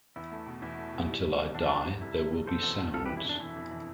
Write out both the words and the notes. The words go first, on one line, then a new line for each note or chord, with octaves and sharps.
Until I die there will be sounds.
E2 E4
A3
B2
E2 E4
A3
B2
G3
G3
E2
E2 D4
E2
G3
F1 E4
G3
B2
F1 A4 C5
E2
B2
F2 F4 A4
G4 B4
E3
E4
G1
D4
E3 E4
F2
E3